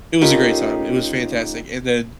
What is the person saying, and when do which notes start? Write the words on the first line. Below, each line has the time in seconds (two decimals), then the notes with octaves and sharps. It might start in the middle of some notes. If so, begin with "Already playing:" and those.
It was a great time. It was fantastic, and then
0.21 A3 C#4 D#4 F4 G4 A#4